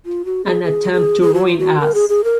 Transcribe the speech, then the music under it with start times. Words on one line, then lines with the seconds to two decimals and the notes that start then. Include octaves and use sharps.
An attempt to ruin us!
0.06 F4
0.25 F#4
0.45 G#4
0.64 G#4
0.92 G#4
1.22 G#4
1.34 F#4
1.46 F4
1.59 F#4
1.80 A#4
1.94 G#4
2.09 G#4
2.24 A#4